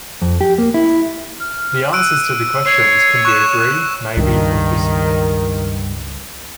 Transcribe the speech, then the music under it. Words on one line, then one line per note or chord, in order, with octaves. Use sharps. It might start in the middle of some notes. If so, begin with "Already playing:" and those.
The answers to the questions can be Agree, Maybe or Disagree.
F2
G4
A#3
E4
F6
E6 F#6 D7 D#7
C#5 C7
C#6 F#6 E7
C#2 G2 D#3